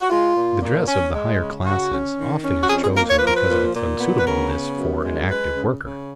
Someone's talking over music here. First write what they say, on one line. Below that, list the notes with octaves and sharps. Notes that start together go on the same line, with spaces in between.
The dress of the higher classes often is chosen because of its unsuitableness for an active worker.
F#4
G#3 F4
A#2
A#2
C#4
G#3
C#3
C#3 F#4
C#4
D#3
C#4
F#4
F2 G#4
G#4
A#3 A#4
C#5
F3 B4
A#4
B4
A#2
A#2
B3
B4
C#3 A#4
B3
F#2
G#3
G#3 B4
C#3
C#3